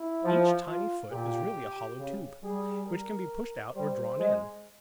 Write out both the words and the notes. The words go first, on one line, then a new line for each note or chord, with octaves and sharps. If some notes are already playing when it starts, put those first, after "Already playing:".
Each tiny foot is really a hollow tube, which can be pushed out or drawn in.
Already playing: E4
F3
F4
A#2 G4
C#3
G3 G#4
A#4
G3 C5
G#3